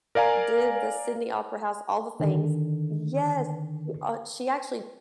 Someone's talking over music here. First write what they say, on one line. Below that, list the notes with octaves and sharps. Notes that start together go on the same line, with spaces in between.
did the Sydney Opera House, all the things yes, she, uh she actually
A#4 D5 F5 G#5 A#5
D3 D#3